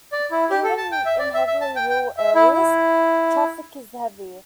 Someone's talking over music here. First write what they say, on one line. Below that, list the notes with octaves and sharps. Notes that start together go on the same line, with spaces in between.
Even in heavily rural areas, traffic is heavy.
D5
E4
G4
A4
A5
G5
E5
D5
E5
E5
A5
G5
G5
E5
E4
E4